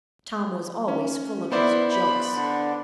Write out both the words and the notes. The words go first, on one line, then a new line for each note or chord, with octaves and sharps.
Tom was always full of his jokes.
C#4
B3 E4 C5 D5
B5
D3